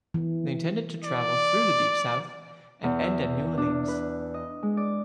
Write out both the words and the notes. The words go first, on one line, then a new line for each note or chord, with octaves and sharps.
They intended to travel through the Deep South and end at New Orleans.
E3
D5
E2
E5
D4
B4
D#5
G#3
D5